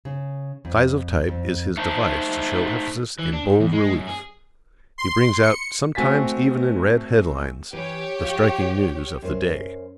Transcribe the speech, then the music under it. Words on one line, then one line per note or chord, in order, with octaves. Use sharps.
Size of type is his device to show emphasis in bold relief. He brings out sometimes even in red headlines the striking news of the day.
C#3
F2
F2
A3 D#4 C5 A5
E3
D4
G#2
E2
G#3
F#2
G#4
C6
C#7
A3 C4 F#4 G#5 A6 B6
E3 G4 B4 C#5
F3 F4
F#2 C5